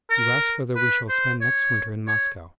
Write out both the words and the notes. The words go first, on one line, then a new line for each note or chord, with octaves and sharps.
You ask whether we shall spend next winter in Moscow.
A#4
B4
C5
C#5
C#5